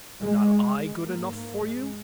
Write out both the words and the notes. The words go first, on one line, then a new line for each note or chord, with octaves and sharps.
Am not I good enough for you?'
G#3
G#2 A#3
A#3
G#3